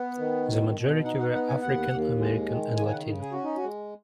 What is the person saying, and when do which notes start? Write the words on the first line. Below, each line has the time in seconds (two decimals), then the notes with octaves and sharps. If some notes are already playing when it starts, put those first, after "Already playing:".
The majority were African American and Latino.
Already playing: B3
0.18 D#3
0.48 B2
0.76 B2
1.05 D#4 F#5
1.20 F#5
1.33 B3 F#5
1.48 G#5
1.62 D#2 F#5
1.91 D#2
2.20 G#3
2.48 D#3
2.77 C#3 G#5
2.87 G#5
2.92 F#5
3.06 C#3 D#4
3.21 G#4
3.32 C#4 F#4
3.44 D#4
3.57 F#4
3.63 G#3